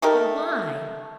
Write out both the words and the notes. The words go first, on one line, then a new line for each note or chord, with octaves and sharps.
But why?
A3 D#4 G4 A#4